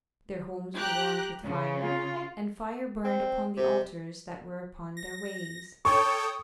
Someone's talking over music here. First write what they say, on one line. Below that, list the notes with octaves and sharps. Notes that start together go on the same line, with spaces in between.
Their homes were warmed with fire, and fire burned upon the altars that were upon their ways.
G4 A#5 F#6
C#3
F4
C4
C3
A#6
A4 C#5 G5 C#6 D#6